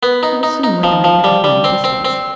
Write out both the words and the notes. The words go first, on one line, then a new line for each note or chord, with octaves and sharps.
He was soon within identifying distance.
B3
D#4
D#4
D#4
F3
F3
G3
G3
C4
C4
C4